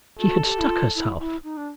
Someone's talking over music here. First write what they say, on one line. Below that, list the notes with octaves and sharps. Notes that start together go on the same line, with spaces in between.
She had stuck herself.
F#4 A4
G4
E4
F4
E4
E4
D#4
D4